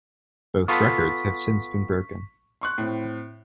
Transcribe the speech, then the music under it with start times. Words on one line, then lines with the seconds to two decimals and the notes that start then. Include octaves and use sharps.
Both records have since been broken.
0.68 B3 F4 A4 C#6 B6
2.61 C6 C#6 F#6
2.78 A2 C4